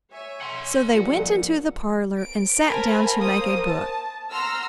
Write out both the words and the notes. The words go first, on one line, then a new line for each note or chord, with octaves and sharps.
So they went into the parlor, and sat down to make a book.
C#5 E5 G#5
F#5 C6
A#2 F3 G3 D#4 A4
D7
A#4 C5 F5 G#5 A5 B5
A#3 A#4 C5 D#6
A5
F#5 A#5 C6 E6 F6